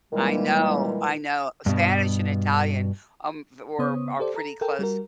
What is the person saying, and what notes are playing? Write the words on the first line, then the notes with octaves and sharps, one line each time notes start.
I know, I know, Spanish and Italian, um, v were are pretty close,
A#2 D#3 E3 G3 G#3 A#3
G2 B2
C#3 B3 C5 C#5 D#6
G4 A4 C5 D5
A4 A#5
A4 A#4 G5
G3 F#4 A#4